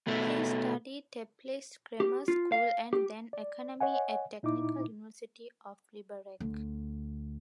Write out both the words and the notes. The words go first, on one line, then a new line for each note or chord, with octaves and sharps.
He studied Teplice Grammar School and then Economy at Technical University of Liberec.
B2 A3
G4
F4
F5
G4
D5
C#5 D#5 F#5 G#5
A#2 D#4 E4 D6
D2